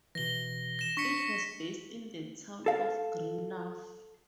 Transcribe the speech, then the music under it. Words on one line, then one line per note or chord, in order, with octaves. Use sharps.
It was based in the town of Greenough.
B2 E3 A#6 G7
A#6 E7
D4 C#6 B6 C#7
A4 F5